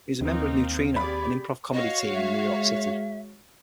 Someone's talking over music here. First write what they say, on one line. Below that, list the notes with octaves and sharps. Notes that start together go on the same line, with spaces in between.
He was a member of Neutrino, an improv comedy team in New York City.
D#2 A#3 C4 D#4 F5
G4 G#4 D5 B5
F#4 C#5 D#5 F5
G#3 E5